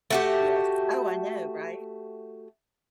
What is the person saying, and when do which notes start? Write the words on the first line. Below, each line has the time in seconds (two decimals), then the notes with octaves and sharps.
Yes. Oh, I know. Right?
0.10 A3 F#4 G4